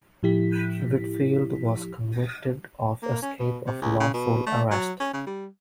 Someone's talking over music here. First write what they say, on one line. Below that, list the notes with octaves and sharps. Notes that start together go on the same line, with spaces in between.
Whitfield was convicted of escape of lawful arrest.
A2 F3 E4 G4 B6
A#3
C#4
B2
C3
C#2
C#3
B2
A3
F#3
C#4
C#3
G3